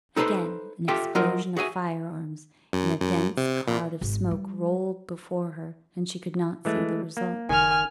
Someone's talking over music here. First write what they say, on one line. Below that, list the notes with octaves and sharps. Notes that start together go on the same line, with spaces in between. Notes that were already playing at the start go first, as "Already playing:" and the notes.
Again an explosion of firearms and a dense cloud of smoke rolled before her and she could not see the result.
D#4 A4 B4 C5 B5 C6
F4 G4 A4 E5 G5
F#3 F4 A#4 D#5
F#4 G#4 E5 G#5
F#2
F#2
C3
A#2
G#1
G3
E3 G#3 A3
A#3
F#1 D#3 G#5 F6